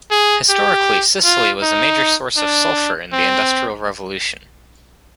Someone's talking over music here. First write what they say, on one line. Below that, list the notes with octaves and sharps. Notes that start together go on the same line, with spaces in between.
Historically, Sicily was a major source of sulfur in the Industrial Revolution.
G#4
G4
F4
D#4
D4
C4